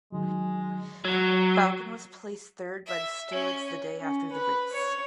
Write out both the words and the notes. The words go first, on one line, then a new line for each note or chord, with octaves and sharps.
Falcon was placed third by the stewards the day after the race.
D#3 F#3 G#3
F#3
E5
C#4
C#4
B4
C#5